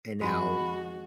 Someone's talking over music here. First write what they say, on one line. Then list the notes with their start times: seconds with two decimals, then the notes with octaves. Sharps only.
and now
0.21 F2 G#3 F#4 B5